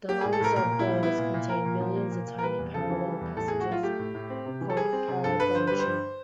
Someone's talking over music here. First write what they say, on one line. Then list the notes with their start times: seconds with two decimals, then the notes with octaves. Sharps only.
The lungs of birds contain millions of tiny parallel passages called parabronchi.
0.09 A#3 G4
0.21 A2 G#4
0.33 A4
0.40 A2 A#4
0.56 A#2 A#4
0.71 A#2
0.79 E4
0.87 G3
1.03 B3 E4
1.18 A#2
1.34 A#2
1.49 A#2 A#4
1.65 A#2
1.81 F3
1.96 A#3
2.12 A#2
2.27 A#2
2.38 A#4
2.43 G3 B4
2.59 E2
2.74 C#3 A4
2.90 E3
3.05 G3
3.21 E2
3.37 A2 A4
3.48 A2 G#4
3.60 F#4
3.68 F#3 F4
3.83 A3 G4
3.99 A2
4.14 A2
4.30 C4
4.46 C3
4.61 E3
4.70 A4
4.77 G3 G#4
4.93 C4
5.08 C3
5.24 G2 A4
5.39 G2 B4
5.55 D3 C5
5.67 G3 B4
5.80 C5
5.86 G2